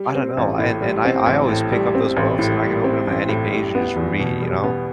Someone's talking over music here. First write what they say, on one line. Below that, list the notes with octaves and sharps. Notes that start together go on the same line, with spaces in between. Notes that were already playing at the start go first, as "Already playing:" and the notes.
I don't know, I and and I I always pick up those books, and I can open 'em to any page and just read, you know?
Already playing: G3
C4
A1
A2
G3
C4
A1
A2
G3
C4
A1
A2
G3
C4
A1
A2
G3
B3
E2
B2
G3
B3